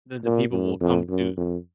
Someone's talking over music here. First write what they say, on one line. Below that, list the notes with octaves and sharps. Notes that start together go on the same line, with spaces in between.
Then the people will come to
A#2
F#2
F2
F#2
F2